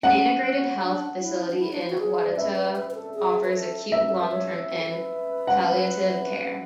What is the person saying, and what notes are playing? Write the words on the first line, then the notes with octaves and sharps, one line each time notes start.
An integrated health facility in Wawota offers acute, long-term and palliative care.
C#4 F#5
C#4
D4
E4
D4
E4
D4
E4
F#4
G#4
D5
B4 E5
B4
B4
B4
A4
G#4
B4
A4
B4 E5
A4
B4
C#5
B4
A4
B4
F#5